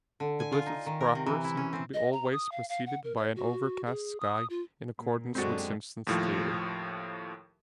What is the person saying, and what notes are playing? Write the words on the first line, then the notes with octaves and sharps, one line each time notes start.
The blizzards proper seem to be always preceded by an overcast sky in accordance with Simpson's theory.
D3
G#5
F4
D#4
D#3
A#4
C3
E3
E4
C#4
C4
D#5
A#5
D#6
F5
F5
F#5
A#4
C#5
F#4
G#4
D#6
F4
A#2
F#2 D3 G#3 C4 F#4 G4
D#2 A2 F3